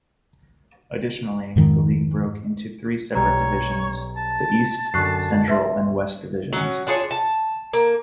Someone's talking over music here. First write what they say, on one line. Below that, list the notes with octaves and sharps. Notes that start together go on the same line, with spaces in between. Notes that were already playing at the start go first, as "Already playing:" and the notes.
Additionally, the league broke into three separate divisions, the East, Central and West divisions.
F2 G#2 D#3
B1 G3 C#5 A#5
A5
F#2 D3 C#6 F#6 C7
B4 E5 C6
F#3 C#4
D4 F4 G#4 C#5
A5
A#3